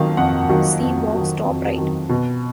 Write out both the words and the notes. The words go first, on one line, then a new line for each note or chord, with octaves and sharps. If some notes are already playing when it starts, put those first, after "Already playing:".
See box, top right.
Already playing: F2 D#3 F#3 D#5 F5
F2 F#5
D#3 F#3
F2
D#3 F#3
F2
D#3 F#3
B2